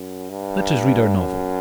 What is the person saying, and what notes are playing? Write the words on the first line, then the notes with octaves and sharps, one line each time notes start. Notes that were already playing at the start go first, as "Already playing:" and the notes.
"Let us read our novel."
Already playing: F#2
G2
F#2